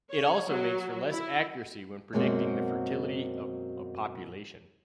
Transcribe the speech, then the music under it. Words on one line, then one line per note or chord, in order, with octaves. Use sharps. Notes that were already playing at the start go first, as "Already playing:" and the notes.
It also makes for less accuracy when predicting the fertility of a population.
C#5
F#3
E4
F#2 B2 G#3 A#3 C4 F#4